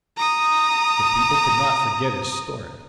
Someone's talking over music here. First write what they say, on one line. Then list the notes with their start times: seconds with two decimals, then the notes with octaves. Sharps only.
But people could not forget his story.
0.17 A#5 D#6